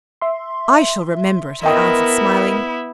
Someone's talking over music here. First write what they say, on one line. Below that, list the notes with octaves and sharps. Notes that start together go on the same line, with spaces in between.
'I shall remember it,' I answered, smiling.
E5 C6
B3 E4 A#4 D#5 G5 D#6